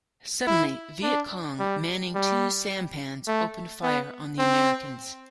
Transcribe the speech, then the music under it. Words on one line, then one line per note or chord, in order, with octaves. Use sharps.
Suddenly, Viet Cong manning two sampans opened fire on the Americans.
E4
D4
G3
G3
A3
B3
C4